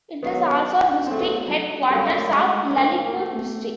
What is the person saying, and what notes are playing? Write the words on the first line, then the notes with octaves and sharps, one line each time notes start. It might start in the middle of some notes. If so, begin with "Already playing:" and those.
It is also district headquarters of Lalitpur district.
G#2 D#3 F#3 B3
C#3 F#3 A3 C4
B3
F#3
F#2 D3 F#3 G3 A#3 C#4
G#3
A3
G#3
A2 F3 A#3 C#4 F4
A#3
A3